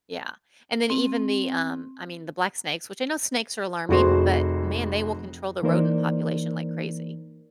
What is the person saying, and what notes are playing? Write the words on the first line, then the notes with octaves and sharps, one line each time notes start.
Yeah. And, then, even the um, I mean, the black snakes which I know snakes are alarming, but, man, they will control the rodent population like crazy.
C4
F1 F2 F#4 G#4 C5 C6
E3 A#3 D#4 A#4 C5 D5